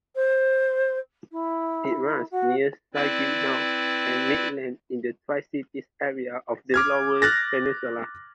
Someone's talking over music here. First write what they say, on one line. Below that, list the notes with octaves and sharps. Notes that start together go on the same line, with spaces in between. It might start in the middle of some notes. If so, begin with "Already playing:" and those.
It runs near Saginaw and Midland in the Tri-Cities area of the Lower Peninsula.
C5
E4
F#4
C4 E4 B4 D5
D6 F6 G#6
F6 F#6 A6 A#6